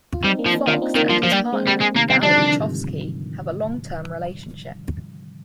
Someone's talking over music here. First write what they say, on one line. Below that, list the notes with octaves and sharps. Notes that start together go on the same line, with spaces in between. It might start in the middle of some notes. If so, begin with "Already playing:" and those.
Fox and his partner, Gal Uchovsky, have a long-term relationship.
F4
G3 C4 D#4
A#3 D4
F3
C4 D#4
D#3 D4 F4
C4 D#4
D#3 A#3 D4
F3
F3
G3
G#3 C4
G3
G#3
C3 D#3 A#3
D#3 G3 C4
D3 F3 D4
C3 D#3
G#2 C3